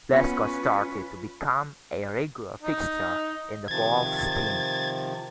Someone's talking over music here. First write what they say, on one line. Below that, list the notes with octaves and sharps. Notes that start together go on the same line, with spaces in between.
Lescott started to become a regular fixture in the Wolves' team.
B3 C#4 F4 B4 C#5 B5
D#4
C3 D#3 F3 G#6 A6